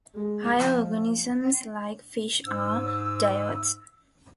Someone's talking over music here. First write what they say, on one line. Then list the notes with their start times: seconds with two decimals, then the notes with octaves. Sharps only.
Higher organisms like fish are diodes.
0.15 G#3
0.55 F3
2.46 G#2 E6